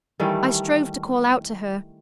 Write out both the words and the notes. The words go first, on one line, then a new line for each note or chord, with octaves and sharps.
I strove to call out to her.
D#3 E3 G3 A3